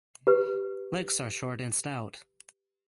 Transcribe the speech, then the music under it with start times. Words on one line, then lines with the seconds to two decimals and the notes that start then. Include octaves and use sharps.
Legs are short and stout.
0.27 G4 B4